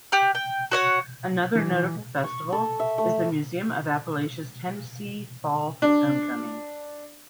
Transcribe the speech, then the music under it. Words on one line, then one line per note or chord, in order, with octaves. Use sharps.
Another notable festival is The Museum of Appalachia's Tennessee Fall Homecoming.
G4 F#6
G5
F#4 C#5 F#5
E3
C#6
A4
E5
A3
D4